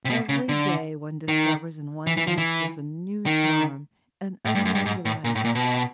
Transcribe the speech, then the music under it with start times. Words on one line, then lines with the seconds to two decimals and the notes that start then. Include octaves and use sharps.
Every day one discovers in one's mistress a new charm and unknown delights.
0.05 C3
0.10 B2
0.29 C#3
0.49 D3
1.28 D#3
2.07 E3
2.17 E3
2.27 F3
2.38 E3
3.26 D#3
4.45 A2
4.55 G2
4.65 F#2
4.75 G2
4.85 G#2
5.05 A2
5.24 A#2
5.35 A2
5.45 A#2
5.55 B2